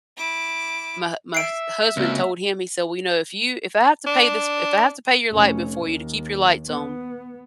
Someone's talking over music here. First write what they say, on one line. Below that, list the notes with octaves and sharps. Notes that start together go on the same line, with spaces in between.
my my h husband told him, he said, "Well, you know, if you if I have to pay this if I have to pay your light bill for you to keep your lights on,
E4 D6
E5 C7 D7
C#2 A#3 C4 F#4
D4
F1 C#4
D#2
B3